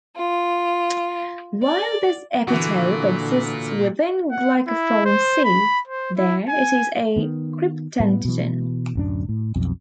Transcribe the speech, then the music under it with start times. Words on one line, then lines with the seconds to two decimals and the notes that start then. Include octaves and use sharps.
While this epitope exists within glycophorin C there it is a cryptantigen.
0.15 F4
1.61 D5
2.48 A#2 D3 E3 F#4
4.31 F#5
4.68 E4
5.05 C5
5.44 B5
5.88 C5
6.17 E4
6.49 G#5
7.16 D#3 B3
8.00 A2 G3 B3
8.25 B2 E3
8.95 D1 F#2 D4
9.29 A2
9.56 B1 F2